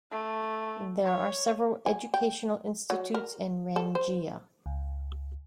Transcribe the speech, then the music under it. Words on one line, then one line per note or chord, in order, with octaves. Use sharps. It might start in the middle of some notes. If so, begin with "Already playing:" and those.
There are several educational institutes in Rangiya.
A3
C#5
G#5
G5
F#3
A#4
A4
C5
C#2